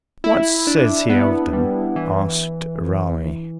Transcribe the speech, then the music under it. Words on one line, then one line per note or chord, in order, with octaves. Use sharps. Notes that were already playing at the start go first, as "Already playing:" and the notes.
"What says he of them?" asked Raleigh.
E4
D4
B3
G3
E3